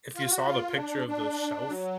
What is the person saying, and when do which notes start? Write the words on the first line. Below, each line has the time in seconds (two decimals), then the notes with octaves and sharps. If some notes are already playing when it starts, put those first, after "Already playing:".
if you saw the picture of the shelf
0.16 F4
0.30 F#4
0.45 F4
0.76 D4
1.08 D4
1.69 F#3